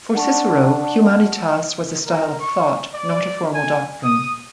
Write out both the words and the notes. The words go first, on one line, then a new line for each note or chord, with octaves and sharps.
For Cicero, "humanitas" was a style of thought, not a formal doctrine.
D4 F#5 A5 C#6
A#4
C#6
D5
G#5
D#6